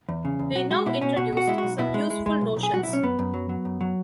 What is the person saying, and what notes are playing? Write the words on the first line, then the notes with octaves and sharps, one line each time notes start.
We now introduce some useful notions.
E2
C#3
E2
B1 F#4
G#3 F#4
B2 E4
B2 C#4
B2 F#4
B2 F#4
G#3 E4
B1 F#4
B2 E4
G#3
G#3
G#3
B1
B1
G#4
B1 F#4
B1 E4
C#4
F#2 B3
F#2
F#3
F#3
F#2
F#3